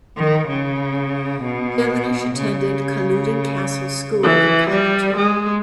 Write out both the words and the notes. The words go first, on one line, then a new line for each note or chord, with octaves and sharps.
Devonish attended Caludon Castle School in Coventry.
D#3
C#3
B2
C#3
E3
G3
G#3